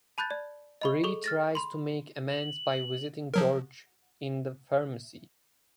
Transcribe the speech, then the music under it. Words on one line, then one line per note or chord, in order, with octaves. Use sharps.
Bree tries to make amends by visiting George in the pharmacy.
A5 B5 F#6 G6 A6
D5
D#5 B5 C#6
G#4 A4 C#6
F6 A6 A#6
B5 C6
F#7
F3 F#3 A#4